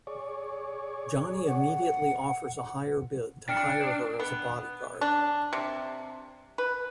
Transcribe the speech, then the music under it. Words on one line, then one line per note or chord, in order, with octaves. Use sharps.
Johnny immediately offers a higher bid to hire her as a bodyguard.
G#4 C#5 D5
F#5
D4 G5 F6 C#7
B3
D4
C3
B4